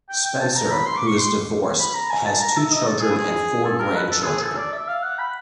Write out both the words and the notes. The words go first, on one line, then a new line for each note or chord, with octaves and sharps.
Spencer, who is divorced, has two children and four grandchildren.
G5
G5
A5
A#5
B5
C6
D6
C#6
C6
B5
A#5
G#5
A5
A#5
E5
D#5
A4
G#4
G#4
A4
A#4
B4
A4
G#4
A4
D5
E5
F5
F#5
B5